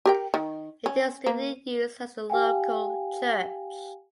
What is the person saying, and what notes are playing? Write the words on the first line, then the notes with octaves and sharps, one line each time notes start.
It is still in use as the local church.
G4 A#4 G5
D#3
C#4
A#3
G4 F5 G5 G#5